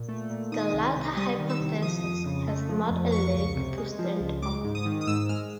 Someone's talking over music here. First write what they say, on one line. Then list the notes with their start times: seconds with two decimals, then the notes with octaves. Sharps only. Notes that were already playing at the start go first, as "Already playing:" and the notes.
The latter hypothesis has not a leg to stand on.
Already playing: A#2
0.09 A3
0.30 A#2
0.52 D#3 D#6
0.74 C2
0.95 C3
1.17 G3 D#6
1.39 D#3
1.50 E6
1.60 C2
1.82 F3 D#6
2.04 F2
2.26 C#3
2.47 A3
2.69 F3
2.90 F2
3.12 F3 C#6
3.34 C#2
3.56 C3
3.78 G#3
3.99 F3
4.21 C#2
4.42 G#3 D6
4.64 G#2
4.75 D#6
4.85 D#3
5.01 D#6
5.07 G#2 E6
5.29 G#3 F6